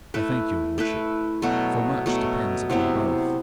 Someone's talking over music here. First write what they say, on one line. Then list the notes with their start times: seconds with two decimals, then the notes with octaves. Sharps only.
'I thank your lordship, for much depends upon both.
0.14 A3 E4 B4
0.78 A3 E4 B4
1.42 B2 F#3 A3
2.06 B2 F#3 A3
2.70 C3 F#3 B3 E4